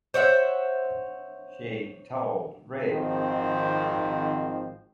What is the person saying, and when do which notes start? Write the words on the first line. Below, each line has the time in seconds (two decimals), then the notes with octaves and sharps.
She told Rev.
0.14 C5 C#5 E5 F#5
2.86 G#1 G#2 D#3 F3 C4